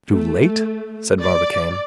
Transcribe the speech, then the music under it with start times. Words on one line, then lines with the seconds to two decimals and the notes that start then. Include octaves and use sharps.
"Too late?" said Barbicane.
0.12 A3
1.21 D5